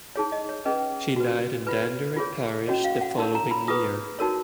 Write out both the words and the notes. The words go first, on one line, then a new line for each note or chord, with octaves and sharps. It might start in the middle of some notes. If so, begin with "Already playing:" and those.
She died in Danderyd parish the following year.
D#4 G#4 C#5
D#5
C#5
C#4 G#4 B4 D#5
F#4 B4
F4 B4
F4 G#4 C#5
C#4 F#4 C#5 D#5
F5
F#5
D#4 A#4 C#5
A#5
B5
F4 G#4 B4 D#6
D#4 F#4 A#4 C#5